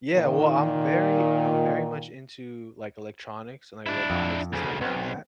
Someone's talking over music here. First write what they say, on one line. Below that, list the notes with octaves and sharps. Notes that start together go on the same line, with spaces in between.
Yeah. Well, I'm very I'm very much into, like, electronics and, like, robotics and stuff like that.
A#2 D#3
D4 E4
F2
D2 C#3
B1 B3 C4